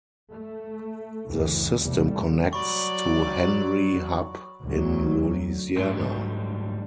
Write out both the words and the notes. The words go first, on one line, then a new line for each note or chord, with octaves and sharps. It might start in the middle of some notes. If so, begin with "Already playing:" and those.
The system connects to Henry Hub in Louisiana.
A3
F#1 D2 E3
B1 E2 C3 G3 A3
F#3 D5 B5 C#6
D2 F#3
D2 G#2 D3 F#3 G3